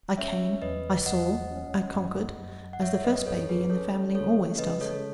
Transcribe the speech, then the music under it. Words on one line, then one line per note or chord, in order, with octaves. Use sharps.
I came, I saw, I conquered, as the first baby in the family always does.
C#4 C#5 E5
E2 B4 D#5
E2 D#5 F#5
C#4
F#2
F#2
F#5
F#2 C#5 E5
B4 D#5
F#2 A4 C#5
G#4 B4
C#4 A4 C#5
G#3 A4 C#5
C#3 B4 D#5
A4 C#5
A4